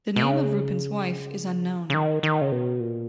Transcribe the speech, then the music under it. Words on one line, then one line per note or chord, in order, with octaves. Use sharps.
The name of Roupen's wife is unknown.
B2
C#3
C#3
D#3
D#3
C#3
B2
A#2